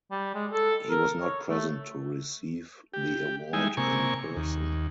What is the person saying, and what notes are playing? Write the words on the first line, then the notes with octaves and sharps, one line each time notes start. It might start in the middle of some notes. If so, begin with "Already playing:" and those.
He was not present to receive the award in person.
G3
G#3
A4
A#4
C#5
A3
G4
G3 G#3 D#4 E4 G#5
C3 A#3 G#5 C#6
D#2